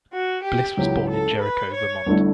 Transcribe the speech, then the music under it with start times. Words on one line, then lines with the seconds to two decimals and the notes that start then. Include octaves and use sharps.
Bliss was born in Jericho, Vermont.
0.13 F#4
0.45 G4
0.77 C#2 C#3 F#3 C#4 E4 G4
1.09 A4
1.42 B4
1.74 C#5
2.06 G1 G2 D3 A3 E4